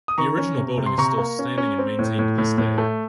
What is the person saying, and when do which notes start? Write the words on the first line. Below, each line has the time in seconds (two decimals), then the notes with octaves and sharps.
The original building is still standing and maintained to this day.
0.08 D#6
0.18 D#3 A#5 C#6
0.38 C#4
0.58 C3
0.78 C3
0.86 C6
0.98 C3 A#5 C#6
1.18 A#3
1.39 C#4
1.58 C#4
1.78 C4
1.99 A2
2.19 A2
2.38 A2
2.58 A2
2.78 A3